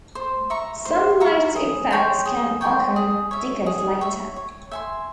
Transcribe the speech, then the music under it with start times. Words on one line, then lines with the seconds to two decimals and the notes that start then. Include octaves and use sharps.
Some late effects can occur decades later.
0.15 C5
0.50 E5 A#5 C#6
0.85 C5
1.20 E5 A#5 C#6
1.56 G#4
1.91 C#5 G5 C6
2.25 G#4
2.61 C#5 G5 C6
2.96 G#4
3.31 C#5 E5
3.66 G#4
4.01 C#5 E5
4.36 C#5
4.71 E5 G#5 C6